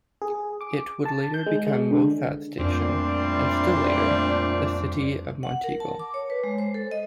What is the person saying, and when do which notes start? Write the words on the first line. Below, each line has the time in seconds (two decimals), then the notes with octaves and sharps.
It would later become Moffat Station and still later, the city of Monteagle.
0.22 G#4
0.61 D6
1.05 A5
1.34 G6
1.46 G#3
1.66 G#3
1.91 D3
2.59 F2 A#2 G3 A3 C4 D4
5.43 F#5
5.64 A#4
5.80 A5
5.99 D6
6.14 C#5
6.30 B4
6.44 G#3
6.58 C5
6.74 A4
6.91 D#5